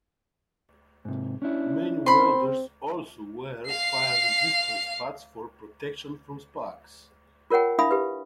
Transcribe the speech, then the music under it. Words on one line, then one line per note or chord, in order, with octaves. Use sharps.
Many welders also wear fire-resistant spats for protection from sparks.
G#2 C3
C#4 D4 E4
C4 B5 C6
F5 C7
F4 A#4 C#5 F#5 G5
D4 E4 E5 F5 B5 D#6
G4 B4